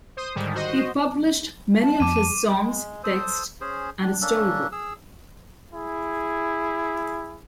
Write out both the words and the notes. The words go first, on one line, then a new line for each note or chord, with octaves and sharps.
He published many of his songs texts and a story book.
C5 D#6
G#2 D3 D#3 G3 G#3
F#4 C5 D#5
A5
F2 D6 D#7
D6 D#7
G#3
A4 C5 D#6
C#4 G#4 C5
D4
A#3 C#4 D4 A4
G#4 E6
E4 G#4